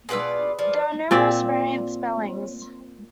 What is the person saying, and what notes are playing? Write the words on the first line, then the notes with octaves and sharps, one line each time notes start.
There are numerous variant spellings.
B2 F4 G#4 B4 D5 E6
F3 D5
A#2 C4 D5 E5